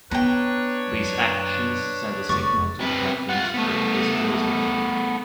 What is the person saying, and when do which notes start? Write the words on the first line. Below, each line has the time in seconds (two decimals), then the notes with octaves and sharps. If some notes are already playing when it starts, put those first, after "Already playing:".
These actions send a signal to patrons that it is closing time.
0.11 B3 D4 B4 C#5 G5 A#5
0.92 F#2
2.29 F1 F2 D5 C#6
2.80 C3 B4
3.29 F4 F#5
3.54 A3 B3